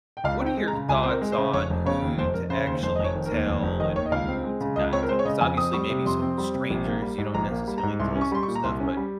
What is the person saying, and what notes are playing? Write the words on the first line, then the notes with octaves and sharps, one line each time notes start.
what are your thoughts on who to actually tell and who to not tell? 'Cause, obviously, maybe some strangers you don't necessarily tell some stuff, but
G5
C#2 F5
C4
G5
G#3
A#5
C#3
C#2 G#5
C4 C5
A#4
G#3
C5
C#3
F1 C#5
F1
C#3 C#5
D#2
F1 C5
F1 A#4
C#3 C5
D#2 C5
F1 C5
F1 D#5
C#5
D#3
A#4
D#2
F1
F1
D#3 D#5
D#2 C#5
D#5
C#2 F5
C4
G#3
C#3
C#2 D#5
C4 C#5
A#4
G#3 C5
C#5
C#3 D#5
F2 G#5
C4 D#6
G3 C#6
C3
F2 C6
C4
G3
C3
A#1
A#3
G3
G#2
A#1 A#5
A#3
G3
A#5
G#2
C2 C6
C#4
C#6
G3 C6
C#6
A#2
A#5
C2 C6
C#4
G3